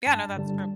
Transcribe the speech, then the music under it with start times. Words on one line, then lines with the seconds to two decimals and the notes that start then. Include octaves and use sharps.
Yeah. No, that's true.
0.07 G2 A5
0.37 D3 G3